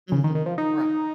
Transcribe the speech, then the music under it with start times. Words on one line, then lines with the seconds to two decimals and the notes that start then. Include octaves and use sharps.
Mhm, right.
0.12 C#3
0.24 D#3
0.35 D#3
0.46 F3
0.58 D#4